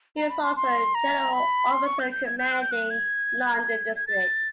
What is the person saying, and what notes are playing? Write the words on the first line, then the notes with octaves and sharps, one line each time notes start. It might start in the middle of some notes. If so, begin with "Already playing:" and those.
He is also General Officer Commanding London District.
A#5
B5
C6
C6
A#5
B5
C6
C#6
G6
G6
G#6
G6
F#6
G6
F#6
G#6
G#6
A6